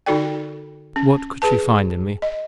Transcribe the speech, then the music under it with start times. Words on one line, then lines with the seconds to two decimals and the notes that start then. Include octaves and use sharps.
What could she find in me?
0.06 D3 D#4 F#4 A4 D5 G5
0.96 C#4
1.42 G#4 B4 A5
2.22 D#5